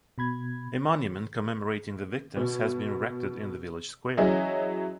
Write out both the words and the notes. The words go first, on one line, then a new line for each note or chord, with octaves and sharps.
A monument commemorating the victims has been erected in the village square.
B2 B5 G#6
B2
E3 F#3 C#4 G#4 D#5 E5